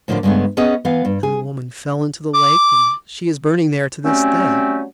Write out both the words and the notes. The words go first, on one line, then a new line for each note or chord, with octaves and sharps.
And the woman fell into the lake and she is burning there to this day.
A2 D3 F3 A3 A#3 D4
G2 C#3 G#3 A3 B3
B3 C#4 G#4 C#5 D#5
E3 B3 F5
G2
G#4
D6
F#3 G3 A3 C4 C#4